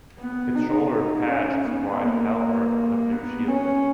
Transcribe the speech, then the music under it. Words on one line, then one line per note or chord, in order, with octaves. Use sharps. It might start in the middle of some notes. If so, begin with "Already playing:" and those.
Its shoulder patch is a white halberd on a blue shield.
B3
D#4
C#4
B3
A#3
A#3
B3
C#4